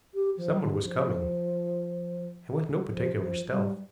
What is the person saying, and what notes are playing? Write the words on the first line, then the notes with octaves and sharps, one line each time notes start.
Someone was coming, and with no particular stealth.
G4
F3
D3
F3
F3
F3
G3